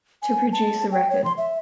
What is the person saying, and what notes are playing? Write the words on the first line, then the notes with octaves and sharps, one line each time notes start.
To produce a record.
G#5
A5
G5
C#5
C6
E5